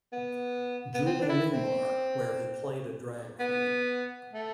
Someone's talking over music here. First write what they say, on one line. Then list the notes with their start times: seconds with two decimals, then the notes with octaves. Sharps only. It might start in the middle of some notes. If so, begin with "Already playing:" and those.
Julie Newmar where he played a drag queen.
0.12 B3
0.94 B3
1.06 C4
1.22 D4
1.29 E4
1.53 C4
3.40 B3
4.33 A3